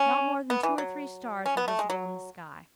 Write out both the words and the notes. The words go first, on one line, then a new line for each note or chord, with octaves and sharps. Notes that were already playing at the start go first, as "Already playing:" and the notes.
Not more than two or three stars were visible in the sky.
Already playing: C#4
B3
E3
F#3
C#4
B3
A3
G#3
F#3